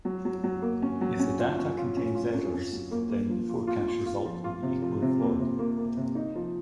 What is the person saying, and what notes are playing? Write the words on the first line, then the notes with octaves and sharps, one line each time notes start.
If the data contains errors, then the forecast result will be equally flawed.
F#3
F#3
F#3
A#3
C#4
F#3
C#4
F4
C#4
F4
C#4
F4
C#4
C#4
F#3
A#3
A#3
F3
F4
F4
F4
F4
F3
F4
C3
F3
C3
A#3
C3
A#3
A#3
C3
D#4
F3